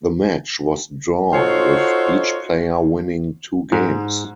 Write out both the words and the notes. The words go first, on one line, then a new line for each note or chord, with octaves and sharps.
The match was drawn with each player winning two games.
D#4 F4 F#4 A4 C5 C#5
G#2